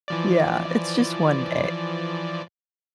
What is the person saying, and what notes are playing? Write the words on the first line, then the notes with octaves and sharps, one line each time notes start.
Yeah, it's just one day.
E3 F3 D5